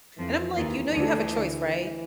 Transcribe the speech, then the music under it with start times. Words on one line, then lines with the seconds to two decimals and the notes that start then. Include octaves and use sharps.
and I'm, like, "You know you have a choice, right?
0.18 F2 E3 F3
0.56 D#2 D#3
0.93 D2 D3